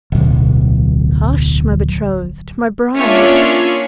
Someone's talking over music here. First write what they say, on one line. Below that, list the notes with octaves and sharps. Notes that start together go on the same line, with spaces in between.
'Hush, my betrothed! my bride!
D1 B1
A#3 C#4 D4 F4 C#5 E5